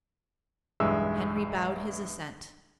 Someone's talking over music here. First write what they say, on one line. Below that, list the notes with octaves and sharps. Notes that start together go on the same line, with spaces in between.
Henry bowed his assent.
B1 E2 G2 G#3 E5 E6